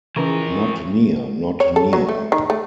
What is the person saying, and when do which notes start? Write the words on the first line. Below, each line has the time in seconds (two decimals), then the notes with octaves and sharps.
'Not near, not near!
0.16 C#3 E3 F3 A#4
1.60 C#5
1.76 A4
1.93 F#3
2.09 A3
2.32 D#3
2.50 A3